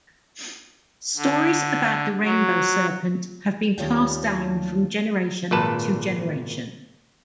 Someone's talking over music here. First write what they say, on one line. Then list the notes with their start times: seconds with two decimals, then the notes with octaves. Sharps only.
Stories about the Rainbow Serpent have been passed down from generation to generation.
1.17 D3
2.24 F#3
3.78 D#2 A3 C#4 D4 F4 G5
5.51 G#1 A#2 B4 A5